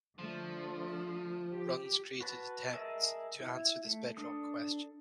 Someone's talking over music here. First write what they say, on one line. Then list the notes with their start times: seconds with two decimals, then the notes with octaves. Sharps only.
Runs created attempts to answer this bedrock question.
0.19 D3 F3 A3
1.52 G4
2.21 F#4 B4 A5
2.73 G#4 A#4 D#5 E5 A5
3.40 E4
3.85 A3
4.17 D4 A4 D#6